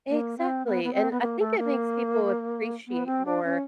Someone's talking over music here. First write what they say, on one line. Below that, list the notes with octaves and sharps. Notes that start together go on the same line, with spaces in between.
Exactly, and I think it makes people appreciate more,
A#3
C4
B3
B3
C4
B3
A#3
A3
A#3
B3
C4
D4
C#4